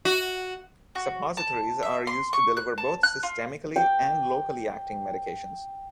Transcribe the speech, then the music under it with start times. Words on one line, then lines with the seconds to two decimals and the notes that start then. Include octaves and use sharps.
Suppositories are used to deliver both systemically and locally acting medications.
0.05 F#4
0.95 F#4
1.37 A5
1.83 E5
2.07 C6
2.33 C#6
2.57 F#6
2.78 A5
3.03 F#6
3.23 F4
3.76 G5 D6